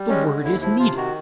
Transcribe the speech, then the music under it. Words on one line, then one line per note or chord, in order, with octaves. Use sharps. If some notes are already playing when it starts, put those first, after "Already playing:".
The word is needed.
Already playing: G3
G#3 C#4
D3
D#2 E4
F3 E4
C3 F4
D#3 F#4